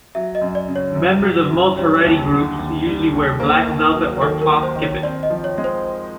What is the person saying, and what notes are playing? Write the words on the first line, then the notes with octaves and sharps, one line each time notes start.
Members of most Haredi groups usually wear black velvet or cloth kippot.
F#3 E5
D#5
F#2
D5
C#3
C#5
F#2
F#3
F#2
G3 C#5
D#2
D3
D#2
G3
D#2
A#3 C5
D#3
A#4
F#3
D#3 A4
A#4
A#3
C5
D#3
C#5
C4 D5
D#5
F3
C#5
G#3
C5